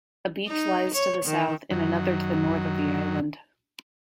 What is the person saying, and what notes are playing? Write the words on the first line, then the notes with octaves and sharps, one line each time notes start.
A beach lies to the south, and another to the north of the island.
D#4
C#5
D#3
F#2 D#3 F#3